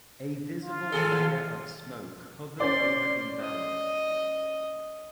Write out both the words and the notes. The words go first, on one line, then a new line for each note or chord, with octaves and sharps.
A visible layer of smoke hovered over the valley.
F4
D#3 G#4 A4
C#4 C5 D5 C6
D#5